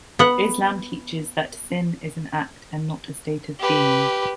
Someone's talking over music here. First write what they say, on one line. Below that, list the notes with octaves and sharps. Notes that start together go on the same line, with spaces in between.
Islam teaches that sin is an act and not a state of being.
B3 F#5
G4 B4